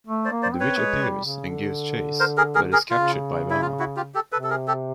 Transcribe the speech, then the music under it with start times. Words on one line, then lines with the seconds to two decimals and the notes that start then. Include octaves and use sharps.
The witch appears and gives chase, but is captured by Velma.
0.07 A3
0.25 C5 D5
0.31 A#3
0.43 C5 D5
0.54 C4
0.60 B4 C#5
0.79 G#3
1.02 G3
1.25 C#3
1.49 D3
2.20 A#4 C5
2.37 G#4 A#4
2.55 G#4 A#4
2.72 G#4 A#4
2.90 C#3 F4
3.50 E4
3.62 F4
3.79 E4 F#4
3.96 F4 G4
4.14 G4 A4
4.32 C3 A4 B4
4.44 A4
4.50 G#4 A#4
4.68 G4 A4